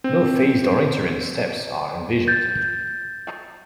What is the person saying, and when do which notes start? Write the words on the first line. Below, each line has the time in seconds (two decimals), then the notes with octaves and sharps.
No phased or interim steps are envisioned.
0.04 C4
2.28 G6 A6